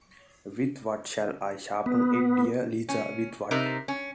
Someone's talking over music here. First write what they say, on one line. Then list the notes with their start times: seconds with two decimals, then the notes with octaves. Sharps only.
With what shall I sharpen it, dear Liza, with what?
1.86 B3
2.89 C#4
3.51 C3 D#4 A#4
3.88 C#4